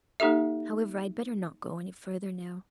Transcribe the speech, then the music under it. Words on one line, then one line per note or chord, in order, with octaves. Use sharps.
However, I'd better not go any further now.
A#3 D#4 G4 A4 E5